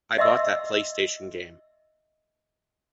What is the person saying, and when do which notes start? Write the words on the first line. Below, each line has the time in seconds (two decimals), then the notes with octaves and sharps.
I bought that PlayStation game.
0.18 D#5 E5 C6 E6